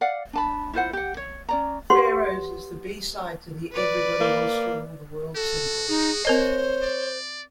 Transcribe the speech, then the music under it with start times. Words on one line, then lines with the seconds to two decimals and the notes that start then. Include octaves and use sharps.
"Pharaohs" is the B-side to the "Everybody Wants to Rule the World" single.
0.01 D5 F5 F#5
0.33 D4 A5 B5
0.73 E4 F4 C5 F#5
0.93 G4 F#5
1.17 C#5
1.49 C#4 D5 A#5
1.90 F#4 G4 B4 C#5 F#5 C6
3.73 B4 D5
4.21 A#3
5.36 F#4 A4
5.89 D#4 G#4
6.25 C4 A#4 C5 C#5 D#5
6.82 D5